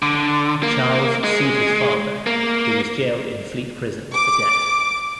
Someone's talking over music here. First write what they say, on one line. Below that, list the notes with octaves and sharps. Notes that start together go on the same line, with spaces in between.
Charles sued his father, who was jailed in Fleet Prison for debt.
D3
A#3
G#3
A#3
D6